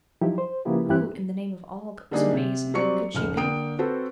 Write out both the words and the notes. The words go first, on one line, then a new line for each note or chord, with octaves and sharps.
Who, in the name of all that was amazing, could she be?
F3 F#3 D#4 E4 G4
C5
C#3 F3 A#3 B3 E4 G4
G2 E3 E4 G4 F#6
D3 G3 A#3 D4 D#4 G#4
C3
F#3 G3 C4 D5 C#6 C#7
F1 C#2 F6
D3 A#3 G5 D#6 D7
C4 F#4 A4 B4 C5